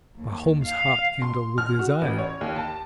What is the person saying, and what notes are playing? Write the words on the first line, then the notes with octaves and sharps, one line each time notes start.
Pahom's heart kindled with desire.
D#2
F5
C6
F6
F#4
A1
C#5
D#2
A5